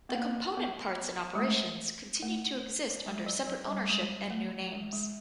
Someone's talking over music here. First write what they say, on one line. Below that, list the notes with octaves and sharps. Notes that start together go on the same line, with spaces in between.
The component parts and operations continued to exist under separate ownership and new names.
B3
A#3
B3
G#3
A3
A3
G#3
F#3
F#3
G3
G#3
A3
G#3
G#3